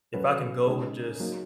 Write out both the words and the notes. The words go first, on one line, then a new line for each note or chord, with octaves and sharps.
if I can go and just
F#3 C#4 F#4 B4
C#3 G#3 D#4 G#4 C#5
F#3 A#3 D#4